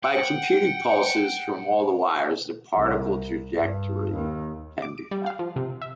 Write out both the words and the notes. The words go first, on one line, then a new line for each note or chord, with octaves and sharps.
By computing pulses from all the wires, the particle trajectory can be found.
F#5 G5
C2
G2
D#2
D6
D7
G3
F5
F3
C3
E5